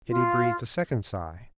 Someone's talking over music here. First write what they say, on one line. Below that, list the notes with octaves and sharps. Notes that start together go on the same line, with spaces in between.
Kitty breathed a second sigh.
F4